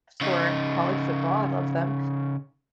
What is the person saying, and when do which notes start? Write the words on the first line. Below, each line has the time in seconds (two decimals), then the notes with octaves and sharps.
for college football; I love them.
0.21 C#3 D#4